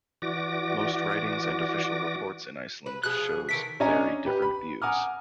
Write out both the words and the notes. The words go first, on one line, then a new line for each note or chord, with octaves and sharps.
Most writings and official reports in Iceland shows very different views.
E3 F#4 D5 D6 A#6
B4
B2 F3 G#4 F#6
D#3 E3 A3 B6 D7
C#4 D4 C#5 D#5 G#5 A#5
G4 B4
B5
F#5 G#5 A#5 D6 D#6 F6